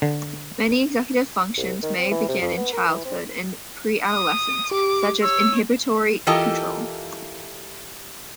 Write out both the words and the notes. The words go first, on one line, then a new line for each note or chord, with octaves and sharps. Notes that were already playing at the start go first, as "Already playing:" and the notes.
Many executive functions may begin in childhood and preadolescence, such as inhibitory control.
D3
C2
D#3
C4
E3
C3
F2
B3
A#4
E3
C4
D#6
G4 D6
C#5 E6
E3 F4 G4 A4 A#4 D#5